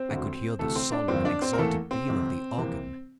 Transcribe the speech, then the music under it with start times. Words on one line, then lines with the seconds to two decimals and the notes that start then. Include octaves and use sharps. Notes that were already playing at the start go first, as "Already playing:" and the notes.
I could hear the solemn and exalted peal of the organ.
Already playing: C4 C5
0.09 E1 D2 D3
0.59 D2 C3 E3 A3 A4
0.75 C4 C5
0.92 D4 D5
1.08 G1 G2 F3 A#3 C4 C5
1.25 D4 D5
1.42 C4 C5
1.53 A#4
1.58 E2 E3 A3 A#3 A4
1.91 C4
2.08 G1 F2 C3
2.57 F2 C3 E3 A#3